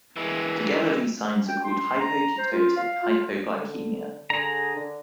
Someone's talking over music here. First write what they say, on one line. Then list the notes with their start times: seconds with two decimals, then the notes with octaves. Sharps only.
Together these signs are called hypoketotic hypoglycemia.
0.16 E3 G#3
1.48 G5
1.64 C6
2.00 A#5
2.38 C5
2.52 F4
2.77 F5
3.03 F4
3.54 D3
4.30 D3 G#4 A#5
4.75 D3